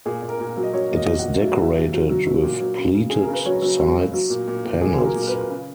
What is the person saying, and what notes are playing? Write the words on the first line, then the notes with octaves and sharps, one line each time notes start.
It is decorated with pleated sides panels.
A#2 G#4
A#2
A#4
A#2
F#3
D#5
F#3 C#5
A#2 D#5
A#2
F#5
A#2
F#3 E5
F#5
F#3 E5
A#2
F#3
F#3
F#3
A#2
F#3
C#3
C#3
C#3 G#4
A#4
C#3 B4
F#3 C#5
F#3
F#3
F#3
F#3
A#2
A#2
A#2
A#2 G#4
F#3
A#4
A#2
A#4
B4
A#2
C#3